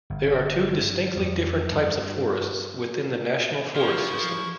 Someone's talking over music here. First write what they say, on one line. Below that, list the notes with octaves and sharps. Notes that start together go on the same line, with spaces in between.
There are two distinctly different types of forests within the National Forest system.
G1
F2
G2
F3 E4 C#6